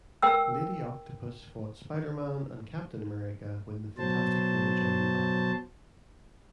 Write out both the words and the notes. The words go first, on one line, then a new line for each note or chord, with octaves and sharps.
Lady Octopus fought Spider-Man and Captain America when the Fantastic Four join the battle.
A#4 B4 G5 E6
B2 F#3 C5 A5